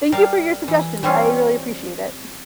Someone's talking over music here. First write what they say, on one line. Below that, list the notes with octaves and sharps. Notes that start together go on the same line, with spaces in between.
Thank you for your suggestions, I really appreciate it.
G3 A#4 F5
E3
E3 G3 C4 C#4 F4